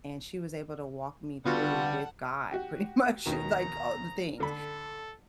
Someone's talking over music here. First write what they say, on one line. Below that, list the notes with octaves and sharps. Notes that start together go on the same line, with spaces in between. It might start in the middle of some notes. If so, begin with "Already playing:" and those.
and she was able to walk me through with God pretty much, like, all the things.
D3 G3 B3 F4 F#4 A4 F#5
F#4 G4
D#2 B2 D#3 A#5
D3 A4 B5